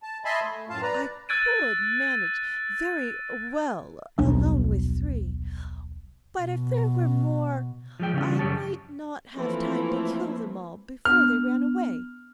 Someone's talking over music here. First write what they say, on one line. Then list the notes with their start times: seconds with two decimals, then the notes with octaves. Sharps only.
'I could manage very well alone with three, but if there were more, I might not have time to kill them all before they ran away.'
0.03 A5
0.25 D#5 E5 G#5 A5 B5 C6
0.43 A3
0.69 F#2 A2 F4 F5 A5
0.82 B4 D5 A#5
1.29 E6 F#6 G#6 A6 D7 D#7
4.19 D#1 B1 D4
6.41 B2
8.00 F3 G#3 G5
8.13 C#3 E3 G3 C#4 D4
8.39 F#2 C#3 G4 C#5 A5
9.36 E3 F3 A3 A#3 C4 E4
11.05 B3 D4 F6